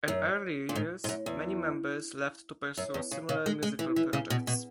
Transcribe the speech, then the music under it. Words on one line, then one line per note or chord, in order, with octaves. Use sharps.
In early years, many members left to pursue similar musical projects.
F#2
A#2
G#2
G#2
F#2
E2
F#2
E2
C#3
C#3
G#3
G#3
E3
E3
C#3
B2
B2